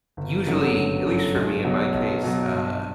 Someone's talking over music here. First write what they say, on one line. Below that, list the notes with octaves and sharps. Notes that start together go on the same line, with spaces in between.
usually at least for me in my case, uh,
G1
F#2 D3 F#3
G1
F#2 D3 F#3
B1
B2 F#3
B1
B2 F#3
G2